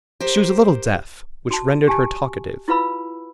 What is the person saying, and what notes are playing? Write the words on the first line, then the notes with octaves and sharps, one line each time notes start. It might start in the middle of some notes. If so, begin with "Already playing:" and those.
She was a little deaf, which rendered her talkative.
G4 A#4 C5
F#4 A5
G4 G#5 A5
E4 F4 B4 F5 B5 E6